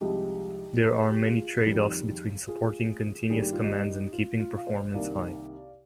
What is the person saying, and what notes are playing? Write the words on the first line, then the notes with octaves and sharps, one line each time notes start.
There are many trade-offs between supporting continuous commands and keeping performance high.
C2 C3 F3 G#3 D#4 G4
A#4
G#4
G4
F4 G#4
F2 D#3 G3
F4 G#4
G2 D#3 G3 A#3 G#4
G4
F4
D#4 G4
F4
F4
F5
C5 D#5
C2 C3 D#3 A#3 D5 F5